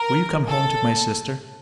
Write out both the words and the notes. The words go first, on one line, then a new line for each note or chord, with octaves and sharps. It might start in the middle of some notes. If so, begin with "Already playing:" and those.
Will you come home to my sister?
Already playing: A#4
A4